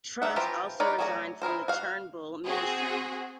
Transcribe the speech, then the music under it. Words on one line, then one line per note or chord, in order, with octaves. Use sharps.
Truss also resigned from the Turnbull Ministry.
D4 D#4 E5 F#5
E3 F3 F4 G4 A#5
D#4 A#4 B4 C#5 D5
F#3 A3 G#4 D5 A#5
E4 G#4 A#4 C5
F#4 F5
C4 F#4 G#4